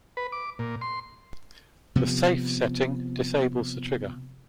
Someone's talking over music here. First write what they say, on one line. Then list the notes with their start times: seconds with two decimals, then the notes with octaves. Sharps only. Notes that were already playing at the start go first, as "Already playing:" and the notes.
The "safe" setting disables the trigger.
0.17 B4
0.32 D6
0.59 A#2
0.81 C6
1.96 C3 F3 B3